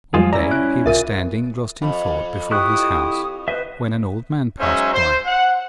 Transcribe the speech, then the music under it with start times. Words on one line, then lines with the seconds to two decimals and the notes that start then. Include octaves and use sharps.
One day he was standing lost in thought before his house, when an old man passed by.
0.14 F2 F3 G3 G#3 F4 G#4
0.33 C#4 E4 D5 A#5 E6 A#6
0.51 F#6 D7
0.86 C2 F4 A#4 E5 D#7
1.82 F2 B5
2.51 E4 G4 C#6 D#6 F#6
3.48 B4 C5 D#5 E5
4.60 F#3 G#3 C#4 D#4 C5 E5
4.94 C5
5.26 F#5